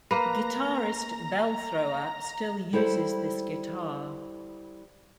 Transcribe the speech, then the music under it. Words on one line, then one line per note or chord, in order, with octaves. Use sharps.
Guitarist Belthrower still uses this guitar.
A#3 B4 A#5
G3 E4 A4 C5 E5